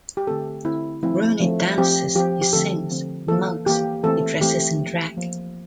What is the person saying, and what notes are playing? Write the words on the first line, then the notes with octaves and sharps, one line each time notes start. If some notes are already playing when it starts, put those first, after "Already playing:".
Rooney dances, he sings, he mugs, he dresses in drag.
G4
D3 A3 C4 A4
D3 A3 C4 E4
F3 A3 C4 E4
F3 A3 C4
F3 C4 G4
F3 C4 G4
G4
D3 F3 A3 C4 A4
D3 F3 A3 C4
E3 A#3 A4
E3 A#3 G4
E3 A3 C4 A4
E3 A3 C4 G4
F3 A#3
F3 A#3